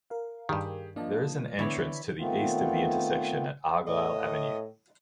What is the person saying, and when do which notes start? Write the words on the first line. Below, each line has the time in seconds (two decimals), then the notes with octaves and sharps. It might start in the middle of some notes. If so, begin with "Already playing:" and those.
There is an entrance to the east of the intersection at Argyle Avenue.
0.10 A#4 F5
0.49 G2 D#3 G4 G#4
0.96 F3 A#3 D4 D#5 A5
1.59 D3 E3 B3 C#5 D5 B5 B6
2.19 D#3 A3 B3 C4 F4
3.87 A2 D#5